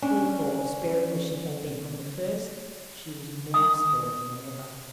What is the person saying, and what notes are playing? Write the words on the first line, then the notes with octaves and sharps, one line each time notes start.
Therefore, sparing as she had been from the first, she was more sparing than ever.
C#4 D4
D#6